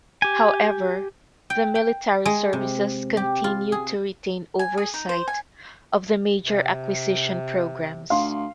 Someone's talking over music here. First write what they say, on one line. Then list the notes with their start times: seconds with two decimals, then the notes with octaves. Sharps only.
However, the military services continued to retain oversight of the major acquisition programs.
0.22 G4 G#5
1.50 G5
1.75 G5
2.25 G#3
2.53 C3
3.17 G4
3.44 F4
3.72 G#4
4.59 G#5
4.78 G#4
4.94 D#4
5.09 C5
5.28 G#5
6.41 C3
8.10 D2 F5 C6